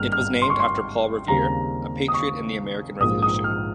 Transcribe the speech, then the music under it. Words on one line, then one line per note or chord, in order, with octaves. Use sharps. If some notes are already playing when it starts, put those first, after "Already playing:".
It was named after Paul Revere, a patriot in the American Revolution.
Already playing: G#1 G2 G3 A#3 F6
F6
C6
C#6
C6
D#2 C#3 G3 C4 A#5
D#6
C#6
A#1 G#2 F3 A#3 D#6
D#6
F6